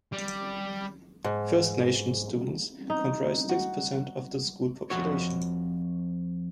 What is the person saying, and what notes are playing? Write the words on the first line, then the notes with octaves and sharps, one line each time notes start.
First Nations students comprise six percent of the school population.
G3
G#2
D#4
F#4
F2 F#4 C#5